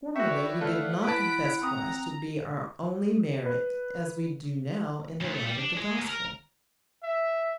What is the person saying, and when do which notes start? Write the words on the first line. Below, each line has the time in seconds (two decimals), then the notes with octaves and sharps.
Formerly we did not confess Christ to be our only merit, as we do now in the light of the Gospel.
0.16 F#4 B4 C#5 D5 E5 G5 C#6
0.61 A3 F5 F#5
1.04 E4 B4 A5 B6 D7
1.63 C4 A#5 D#6
3.46 B4
5.20 D2
5.35 A3
5.47 G3
5.58 D4
5.77 G#3
5.98 D#2
6.09 A#4
7.03 E5